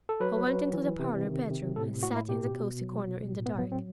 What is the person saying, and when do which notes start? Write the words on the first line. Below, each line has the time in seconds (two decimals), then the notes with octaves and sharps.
I went into the parlor bedroom and sat in the cozy corner in the dark.
0.09 A4
0.20 F#3 B4
0.47 F#3
0.73 E3
0.99 C3
1.25 D#3
1.51 C3
1.76 A2 A4
2.03 A2 F#4
2.16 E4
2.28 B2 G4
2.55 B2
2.81 F#3
3.07 B2
3.33 A2
3.46 B3
3.59 F#3 B3
3.72 C4